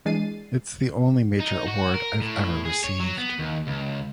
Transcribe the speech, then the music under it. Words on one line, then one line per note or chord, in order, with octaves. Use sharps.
It's the only major award I've ever received.
E3 G#3 D4 A6 C7 D#7
D#4
F#4
A#4
A2
G#4
C#5
F#3
B3
D#2
C#2